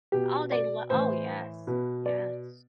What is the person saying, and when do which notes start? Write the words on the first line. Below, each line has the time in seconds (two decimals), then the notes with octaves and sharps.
Oh, they lo Oh, yes. Yes.
0.12 B2 G4
0.52 D5
0.90 A2 E3 C5
1.67 B2 B4
2.06 D5